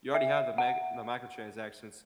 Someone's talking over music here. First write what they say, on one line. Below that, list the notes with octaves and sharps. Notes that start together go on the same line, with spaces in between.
you already have the meg the microtransactions,
E5
F#5